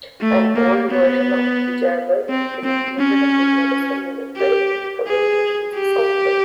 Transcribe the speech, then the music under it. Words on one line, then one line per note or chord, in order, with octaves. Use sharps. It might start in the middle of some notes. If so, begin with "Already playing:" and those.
An old version of ejabberd is included in the Unison unified communications software.
A3
A#3
B3
C4
C4
C#4
G4
G#4
G4